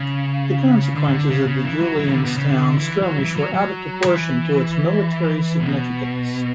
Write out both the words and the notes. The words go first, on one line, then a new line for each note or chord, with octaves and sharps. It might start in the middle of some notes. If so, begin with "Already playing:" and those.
The consequences of the Julianstown skirmish were out of proportion to its military significance.
Already playing: C#3
D3
C#3
D3
C#3
C#3
E3
F#3
E3
C#3
D3
B2
C#3
D3
E3
F#3
E3
F#3
F#3
E3
B2